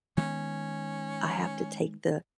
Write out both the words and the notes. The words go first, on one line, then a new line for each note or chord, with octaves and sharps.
I have to take the
D#3 G#3 B3 C#4